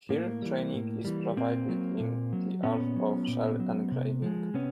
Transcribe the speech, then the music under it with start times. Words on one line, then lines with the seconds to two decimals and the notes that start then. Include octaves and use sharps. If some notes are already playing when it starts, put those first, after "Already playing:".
Here training is provided in the art of shell engraving.
0.09 A2 A#3
0.42 E3 G3
0.74 A2
1.05 E3 G3
1.37 A#2 A#3 C4
1.69 F#3
2.00 A#2
2.33 F#3
2.63 A#2 B3 C#4
2.96 F#3
3.28 A#2
3.60 F#3
3.91 C3
4.22 F3 G#3
4.54 C3 B3 C#4